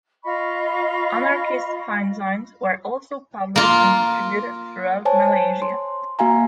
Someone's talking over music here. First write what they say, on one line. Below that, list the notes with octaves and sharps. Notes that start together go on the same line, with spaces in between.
Anarchist fanzines were also published and distributed throughout Malaysia.
F4 D#5 B5 C#6
A#3 F4
C5 C#5 G#5 A5
C6
A#3 F#4 F5 G#5 A#5